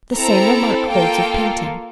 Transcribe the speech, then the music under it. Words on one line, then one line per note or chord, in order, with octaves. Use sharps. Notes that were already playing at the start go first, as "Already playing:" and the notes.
The same remark holds of painting.
C4 E4 A4 A#5
A#3 F4 A4 G5